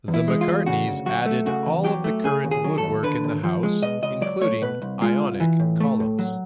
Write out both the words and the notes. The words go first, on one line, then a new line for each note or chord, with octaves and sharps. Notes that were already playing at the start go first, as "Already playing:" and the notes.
The McCartneys added all of the current woodwork in the house, including ionic columns.
E2
E4
G#3
F4
E2
C#3 F#4
D2
F#3 F#4
A3
C#3 F#4
E2
F#3 G4
A3
C#3 G#4
D#2
G#4
F#3
A4
D#2
D3 B4
D#2
F3
G#3
B2 D#5
C#2 D#5
F#3 D5
A3 C#5
B2 B4
C2
G#3 F4
C2
E3
A2
A3
A2
F#3